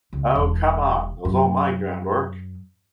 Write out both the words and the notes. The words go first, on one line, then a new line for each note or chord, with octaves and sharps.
Oh, come on, that was all my groundwork.
C#2
E1
F#2